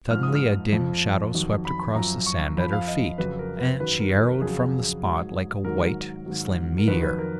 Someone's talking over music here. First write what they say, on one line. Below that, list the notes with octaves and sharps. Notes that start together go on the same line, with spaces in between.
Suddenly a dim shadow swept across the sand at her feet, and she arrowed from the spot like a white, slim meteor.
G#2 F3 F6
D#6
F6
F2 F3
F2 D#3 F#3
B5
F#2 F3 A#5
C#6
F2 F3 B5
F5
D#5
F2 C#3 F#3 B4
A#4
B4
F#2 D#3 F#3 B4
A#4
A#4
F2 C#3 F#3 G#4
G#2 F#3
G#2 D#3 F#3 A#4
G#2 D#3 F#3
A#4
F2 D#3 F#3 B4
B4
A#4